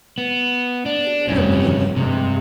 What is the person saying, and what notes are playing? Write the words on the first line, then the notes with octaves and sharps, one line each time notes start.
In your opinion,
B3
D4
F1 G2 C#4
G2 C3 G#3